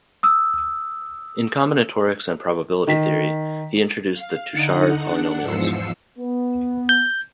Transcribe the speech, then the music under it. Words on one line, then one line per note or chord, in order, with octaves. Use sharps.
In combinatorics and probability theory, he introduced the Touchard polynomials.
D#6 E6
D#3 B6
F5
D3 D#4 F#5
D4 F#5
E2 G#2 F3 E6 C7 C#7
B3
G6